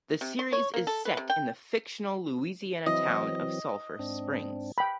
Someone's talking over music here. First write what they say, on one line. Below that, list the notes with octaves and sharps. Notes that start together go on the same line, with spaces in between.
The series is set in the fictional Louisiana town of Sulphur Springs.
C3
C6
C#5
A#3
A4
B4
C3
G5
E3 F#3 C4 E4 D#5
G#2 C4 D4
G5 B5